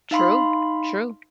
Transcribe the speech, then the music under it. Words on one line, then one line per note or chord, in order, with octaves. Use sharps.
True, true.
D#4 F5 B5 C6